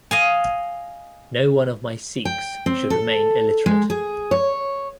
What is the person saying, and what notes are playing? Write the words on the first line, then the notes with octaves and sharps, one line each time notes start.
No one of my Sikhs should remain illiterate.
D#5 F5 G#5
G5
C4
A4
G#3
G#4
C#5